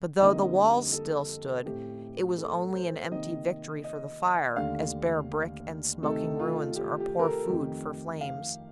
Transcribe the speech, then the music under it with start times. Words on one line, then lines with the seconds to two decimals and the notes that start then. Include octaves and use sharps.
But though the walls still stood, it was only an empty victory for the fire, as bare brick and smoking ruins are poor food for flames.
0.20 F2 D3 G3 A#3 D#4 D#5
0.92 A4
1.66 A2 A3 C4 G4
2.38 A4
2.75 C5
3.11 C3 D#3 A#3 D#4 D#5
3.84 D#5
4.56 D#2 D3 A3 D4 F5
6.02 C3 D#3 A3 D#4 A4
6.40 F4
6.76 G4
7.00 G4
7.19 A#4
7.24 A4
7.48 F2 D#3 A3 G4
8.21 F5